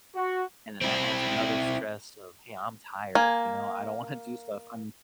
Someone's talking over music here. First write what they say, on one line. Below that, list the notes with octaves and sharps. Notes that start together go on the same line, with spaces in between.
And then, that adds another stress of, "Hey, I'm tired," you know? "I don't wanna do stuff, I'm"
F#4
C4 E4
A#3 G#5